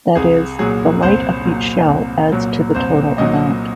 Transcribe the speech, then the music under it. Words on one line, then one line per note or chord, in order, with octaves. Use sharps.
That is, the light of each shell adds to the total amount.
C2 G#4
A#2 F#3 G#4
C2 C5
A#2 F#3
C2
A#2 F#3
C2 C5
A#2 F#3 D#5